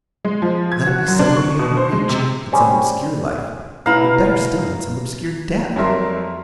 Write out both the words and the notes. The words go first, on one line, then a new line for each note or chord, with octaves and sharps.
Let it be somewhere beyond reach; in some obscure life--or, better still, in some obscure death.
G#3
F3
G#6
F#4
F#2
D4
C#6
B2
C5
G#3
C3
G3 C4 C#4 G#4
B2 E4 F5 A#5
F2 F#3 G3 A#4 E5 C6